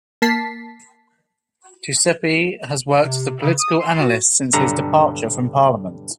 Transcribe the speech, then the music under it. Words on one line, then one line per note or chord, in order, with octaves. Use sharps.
Duceppe has worked as a political analyst since his departure from parliament.
A#3 A5 B6 C7
C3
C#3
D#6
C6
F#4
B1 G2 D3 A#5